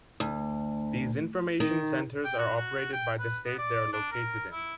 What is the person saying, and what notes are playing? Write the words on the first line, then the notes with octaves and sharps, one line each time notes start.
These information centers are operated by the state they are located in.
D2
D#3
G5
F#4
F#4
G5
B4
B3
D5
D4
A#4
E4